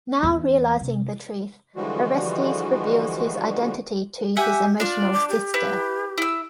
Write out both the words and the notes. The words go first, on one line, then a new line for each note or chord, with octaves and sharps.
Now realizing the truth, Orestes reveals his identity to his emotional sister.
E2
C3
D3 E3 F3 G3 G#3 F#4
G4 E5 F#5 G#5
D4 F4 D5
D6
G4
E4 B4
E4 E6